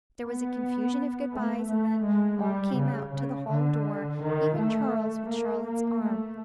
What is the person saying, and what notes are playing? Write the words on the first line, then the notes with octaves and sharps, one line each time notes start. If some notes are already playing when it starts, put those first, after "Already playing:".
There was a confusion of good-byes, and then all came out to the hall door; even Charles, with Charlotte's arm.
B3
A3
A3
G#3
G3
C#3
C#3
D3
D#3
A3
A#3
A#3
A3